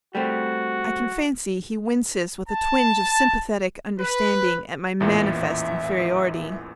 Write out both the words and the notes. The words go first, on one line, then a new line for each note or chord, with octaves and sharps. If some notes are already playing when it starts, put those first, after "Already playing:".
I can fancy he winces with a twinge of sympathetic understanding at my manifest inferiority.
G3 A3 C4 F#4
A5
B4
A1 E2 A#2 E5